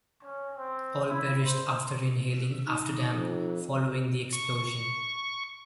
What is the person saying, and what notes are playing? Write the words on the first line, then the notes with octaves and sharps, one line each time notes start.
All perished after inhaling afterdamp following the explosion.
C#4
C4
E4
C5
D#4
F2
C#6